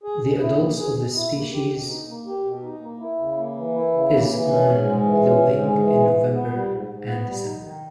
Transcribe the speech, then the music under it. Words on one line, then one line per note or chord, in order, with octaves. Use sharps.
The adults of this species is on the wing in November and December.
G#4
B2
E4
A#3
G#4
B2
E4
A#3
G4
B2
D#4
A#3
G4
B2
D#4
A#3
E4
C#3
A#3
E3
E4
C#3
A#3
E3
C#4
G#2
G#3
E3
C#4
G#2
G#3
E3
G#2
G#2
B3
G3
G#2
G#2
B3
G3
D#4
D#3